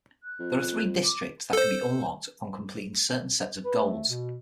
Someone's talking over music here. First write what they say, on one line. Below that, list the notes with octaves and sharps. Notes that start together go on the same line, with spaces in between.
There are three districts that can be unlocked upon completing certain sets of goals.
F#6
F2
D6
A4 C5
B4
A3
B2